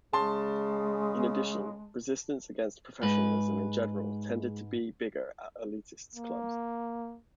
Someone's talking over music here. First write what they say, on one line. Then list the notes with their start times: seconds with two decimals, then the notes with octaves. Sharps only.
In addition, resistance against professionalism in general tended to be bigger at elitists clubs.
0.13 C#3 G#3 A5 C6
3.03 G#2 G#3 B4
6.15 A#3